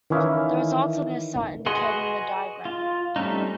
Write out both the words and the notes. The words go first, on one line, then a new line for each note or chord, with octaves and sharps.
The results of this are indicated in the diagram.
D#3 E3 C#4 E4 F5
F#4 G#4 B4 D#5 C6
F4
G3 A3 C4 C#4 D#4